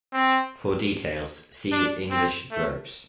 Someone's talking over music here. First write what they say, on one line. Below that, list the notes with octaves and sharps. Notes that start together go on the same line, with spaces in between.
For details, see English verbs.
C4
D4
C4
A3